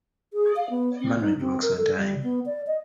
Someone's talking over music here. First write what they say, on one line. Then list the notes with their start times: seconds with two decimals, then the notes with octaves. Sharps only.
Manoj works on time.
0.33 G#4
0.56 F5
0.70 B3
1.00 C4
1.21 D#4
1.41 C4
1.62 A#4
1.77 A4
1.95 G3
2.23 B3
2.46 D5
2.67 D#5